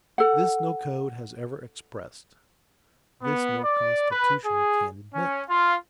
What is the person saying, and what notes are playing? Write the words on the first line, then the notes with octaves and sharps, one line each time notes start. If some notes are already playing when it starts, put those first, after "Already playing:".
This no code has ever expressed; this no constitution can admit!
A4 F#5
B3
D5
B4
G#4
C#4
F4